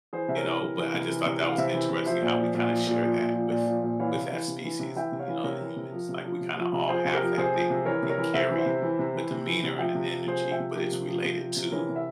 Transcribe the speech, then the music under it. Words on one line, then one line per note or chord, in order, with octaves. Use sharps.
you know, but I just thought that was interesting how we kinda share that with with that species, you know, and the humans, like, we kinda all have that thing where we can carry a demeanor and an energy, but it's related to
E3 G#4 C5
C3 E5
A#4 C#5
E3
C3
E3
C3
E3
C3
E3
F5
C3 C5 E5
E3
C3
F3 C5 E5
A#2
F3
A#2
F3
A#2
F3
A#2
F3
A#2
F3
A#2
E3 C#5 F5
C3
E3
C3
E3
C3
E3 E5 G5
C3
C#5 F5
E3
C3 A#4 C#5
E3
C3
F3
C3
F3
C3
F3
C3
F3 G#4 C5
C3 C5
G4 A#4
F3
C3 G#4 C5
F3
C3
E3 A#4 C#5
C3
A#4 C#5
E3
C3 C5 E5
E3
C5 E5
C3
E3
C3
E3
C3
E3
C3
F3 E5 G5
C3
F3
C3 G#4 C5
F3
E5 G5
C3
F3 G4 A#4
C3
F3
C3
F3
C3
E3 A#4 C#5
C3
E5